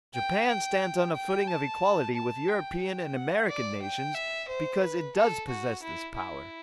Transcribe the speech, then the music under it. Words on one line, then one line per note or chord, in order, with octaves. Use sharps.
Japan stands on a footing of equality with European and American nations because it does possess this power.
G5
G5
G5
A5
A5
G5
G5
F#5
D5
G5
E5
C5
B4
A4
F#4
E4
E4